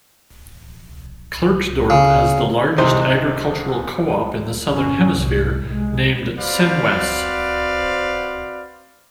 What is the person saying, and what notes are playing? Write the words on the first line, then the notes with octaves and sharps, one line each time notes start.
Klerksdorp has the largest agricultural co-op in the southern hemisphere, named 'Senwes'.
C#3
C2 G#2 C3 D#4 C5 C6
G1 C#4
C2 G#2
C2 G#3
C4 F#4 B4 C5 D5 F5